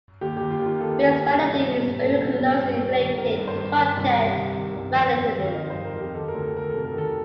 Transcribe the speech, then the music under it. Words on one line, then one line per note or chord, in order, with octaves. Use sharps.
Face validity is very closely related to content validity.
D#2 G4
D#2 G4
F4
D#3
F4
D#3 A4
D#2
D#2
C2
C2
A#2
A#2 A4
C2
C2
G2
G2
D#3
D#3 A#4
G2
C5
G2
D#3
C2
C2
C3
D#3
C2
F2
F2
D#3
F5
D#3 D#5
C5
F2
A#4
F2 G4
D#3 A4
A#4
D2
A4
D2 A#4
C3 A4
A#4
D#3 A4